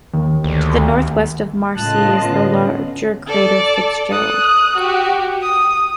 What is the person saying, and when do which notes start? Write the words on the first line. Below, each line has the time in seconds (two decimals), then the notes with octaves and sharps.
To the northwest of Marci is the larger crater Fitzgerald.
0.14 D#2
0.44 D2
1.76 A2 C#3 F4 D#5 A5 F#6
2.20 D3 B3 C#4
3.27 A4 D5
4.11 D#6 F#6
4.76 F#4 G4
5.42 D#6